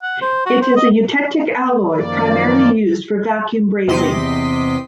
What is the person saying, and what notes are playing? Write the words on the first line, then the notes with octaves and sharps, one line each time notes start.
It is a eutectic alloy primarily used for vacuum brazing.
F#5
C5
F#4
C5
D#5
F#2 D#3 F3 A#3 D5
E2 C3 D#5 C6 D6 B6